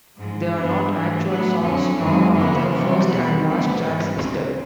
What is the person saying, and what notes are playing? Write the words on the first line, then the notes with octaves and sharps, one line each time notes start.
They are not actual songs, nor are the first and last tracks listed.
G#2 F3 G#3
G2 E3 G3 B3 D4
G#2 E3 A3
A2 F#3 B3
F2 D3 F#3 C#4
F#2 D#3 G#3 C4
E2 C#3 F3 A#3 B3
C3 E3 G3
E2 B2 G3 B3 C4
D2 D3 G3 B3
G#2 E3 G3 B3 C#4
D2 C#3 F3 C4